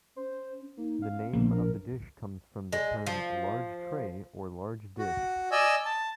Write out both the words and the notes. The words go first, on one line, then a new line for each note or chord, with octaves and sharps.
The name of the dish comes from the term "large tray" or "large dish".
C#4 C5
A#3 D#4
C#4 F5
A#1 F3 A#3 B3
D4 A#4
G#3
F3
F#4
D5 D#5 G#5 E6
A5